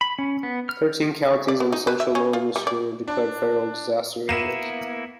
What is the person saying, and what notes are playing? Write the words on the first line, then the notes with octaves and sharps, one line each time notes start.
Thirteen counties in Central Lower Michigan were declared federal disaster areas.
B5
C#4
B3
F6
D5
B3
D#4
B4
E5
C#4
F4
G3
D5
D4
A#3 B3 E4 D#7 E7